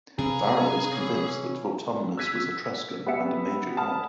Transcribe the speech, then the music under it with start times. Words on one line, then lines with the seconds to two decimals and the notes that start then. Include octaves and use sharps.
Varro was convinced that Vortumnus was Etruscan, and a major god.
0.19 C3 C4 G#4 B4 F5 A#5
0.91 E3 C#4
2.17 E6 F#6 G#6 B6 D#7
3.07 B3 G4 B4 E5 C#7
3.77 F#5 G#5 A5 B5 D#6 F6